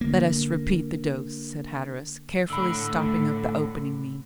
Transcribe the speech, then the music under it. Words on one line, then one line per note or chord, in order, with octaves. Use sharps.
"Let us repeat the dose," said Hatteras, carefully stopping up the opening meantime.
D3 A#3
A2 D3 B5 E6